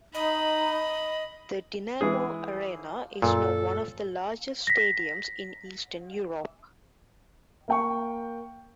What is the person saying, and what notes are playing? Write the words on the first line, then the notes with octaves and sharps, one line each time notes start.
The Dinamo Arena is now one of the largest stadiums in Eastern Europe.
D#4 D#5 B5
E3 G#3 G#4
F#2 A#2 A4
A#6 B6
A#3 G5 C#6